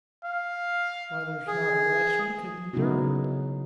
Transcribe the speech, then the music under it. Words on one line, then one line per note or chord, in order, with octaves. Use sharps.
"Why, there's not a Russian could endure it!"
F5
G#4
C#3 F#3 B3 D#4 E4 F#4